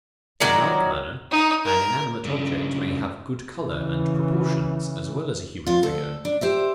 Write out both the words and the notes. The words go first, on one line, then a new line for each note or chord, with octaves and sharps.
In like manner, an inanimate object may have good colour and proportions as well as a human figure.
D#3 F#3 A#4 D5
D#4
A#4
G2 C#3
C#3 E3
F2 F4
D2 A4
D4
G4 C5 E5